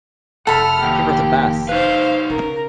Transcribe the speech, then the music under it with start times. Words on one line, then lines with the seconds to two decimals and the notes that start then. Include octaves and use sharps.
You’re the best!
0.47 F1 A3 A4 F#5 B5 F6
0.83 D#2 G4
1.69 D#4 B4 C5 F5
2.30 C#3 A#4